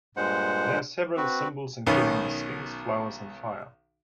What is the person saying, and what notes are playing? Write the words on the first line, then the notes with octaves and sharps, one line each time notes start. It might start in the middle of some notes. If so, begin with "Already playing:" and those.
There are several symbols, including the Sphinx, flowers, and fire.
G2 A#2 G#3 C5 F#5
C4 F#4 B4
B1 B2 D#3 C#4